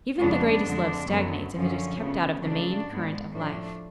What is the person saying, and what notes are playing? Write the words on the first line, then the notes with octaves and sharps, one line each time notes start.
Even the greatest love stagnates if it is kept out of the main current of life.
F2 C#3 G#3 B3 D4
F2 D3 G#3
F#2 D3 F#3 B3
F#2 D3 F3 C#4
D2 C#3 F3 B3
C#3 F3 A3 D4
G#2 G#3 B3
A2 F3 A3 D4